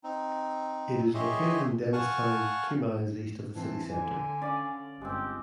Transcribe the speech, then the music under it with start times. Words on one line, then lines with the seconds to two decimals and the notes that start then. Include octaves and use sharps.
It is located in Dennistoun, two miles east of the city centre.
0.04 C4 D#4
1.14 G4 G#4 C#5 D#5 E5 C6
1.93 F5 F#5 G#5 A5 C#6
3.56 E3 C4 A5
3.88 D3 G#5
4.42 C#4 D5 F5
5.01 G1 G#3 C4 G4